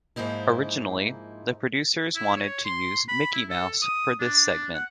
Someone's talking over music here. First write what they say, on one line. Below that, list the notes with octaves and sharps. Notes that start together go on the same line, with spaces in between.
Originally, the producers wanted to use Mickey Mouse for this segment.
G#2 F3 A#3 D#4 E4
E4
C#5
C6
B5
E4
A4
D#6
D4
F#5